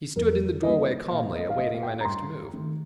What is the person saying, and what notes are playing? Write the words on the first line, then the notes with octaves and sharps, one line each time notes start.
He stood in the doorway calmly awaiting my next move.
F2 A#4
D3 G3 A#3 D#5
A#2 F5
D#5
F5
A3 D#5
F5
G5
A#5
G2 C6
D#3 A3